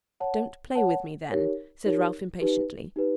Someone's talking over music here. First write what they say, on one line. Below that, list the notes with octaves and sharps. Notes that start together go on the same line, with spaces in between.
'Don't play with me then,' said Ralph impatiently.
C#5 F#5 A5
C#5 F#5 A5
D#4 G4 A#4 C#5
D#4 G4 A#4 C#5
D#4 G4 B4
D#4 G4 B4